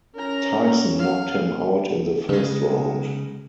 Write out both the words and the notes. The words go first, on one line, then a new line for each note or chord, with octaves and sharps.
Tyson knocked him out in the first round.
C#4 A#4 A#5
F5
C#3 G#3